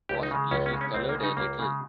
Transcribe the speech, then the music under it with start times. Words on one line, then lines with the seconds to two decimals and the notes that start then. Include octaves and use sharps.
Possibly he coloured a little.
0.09 C#2 G4
0.23 D#4
0.31 C#3 G#3
0.51 C#2 C#4
0.66 C#4
0.73 C#3 G#3
0.81 C#4
0.94 C#2 C4
1.09 A#3
1.16 G#3
1.21 C#3 D#4
1.37 C#2 A#3
1.59 C#3 G#3